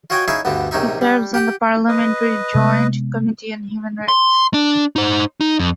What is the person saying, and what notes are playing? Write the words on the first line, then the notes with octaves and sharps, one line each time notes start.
He serves on the Parliamentary Joint Committee on Human Rights.
F4 F#4 C#5 D#5 G5 G#5
C#4 D#4 E4 G#4 E5 F5
D2 G2 D3 B3
A#1 C3 C#4 D#4 E5
G3
G4 F#5 G5
B4 D#5
C3 G#3 B3
C6
D4
D#4 C5
D#4
F2